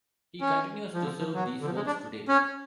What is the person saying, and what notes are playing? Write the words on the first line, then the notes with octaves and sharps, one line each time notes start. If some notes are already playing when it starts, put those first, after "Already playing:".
He continues to serve these roles today.
C#4
F3
D3
F3
F#3
D3
F3
G#3
D4
C#4